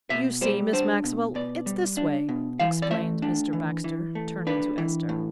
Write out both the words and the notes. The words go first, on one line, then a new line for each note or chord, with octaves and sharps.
"You see, Miss Maxwell, it's this way," explained Mr. Baxter, turning to Esther.
B2 E5
G3 C5
D4 C5
B2
B2 D5
G3
D4
B2
E3 F5
D5
A3 E5
D4
E3
E3
A3
D4 B4
E3
A2